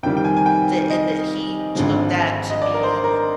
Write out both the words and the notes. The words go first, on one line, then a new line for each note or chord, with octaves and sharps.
that and that he took that to be
F2 C3 D#3 G3 G5
G5
G#5
G#5
G5
D#5
G#1 G2 D3 F3 G#3
D#5
D5
A#4
C5
A#4